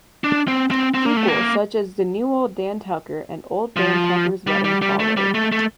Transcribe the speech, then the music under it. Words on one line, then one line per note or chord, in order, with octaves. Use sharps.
Sequels such as "De New Ole Dan Tucker" and "Old Dan Tucker's Wedding" followed.
D4
C4
C4
C4
A#3
A3
A#3
F3
G3
G3
G3
A3
G3
A3
A3